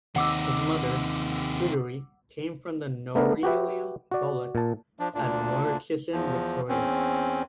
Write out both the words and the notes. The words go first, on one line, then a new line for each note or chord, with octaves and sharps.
His mother, Tooterrie, came from the Nourailum bulluk at Murchison, Victoria.
D#2 C3 D#4 F#5 D6 E6
A3 B3 D4 A#4
F#4 G4 B4 E5
F#4 D5
A#2 A5
F3 D4
D2 A#2 D4
E2 F3
E2 C4 C#4